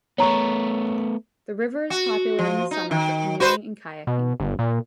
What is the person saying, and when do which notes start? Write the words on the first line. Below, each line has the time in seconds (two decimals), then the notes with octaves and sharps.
The river is popular in the summer for canoeing and kayaking.
0.18 A3 B3 C#5 A#5 C#6
1.90 F#4
2.39 F3
2.71 D#4
2.91 D#3
3.40 F#4 B4 C5
4.07 B2
4.40 G1
4.59 A#2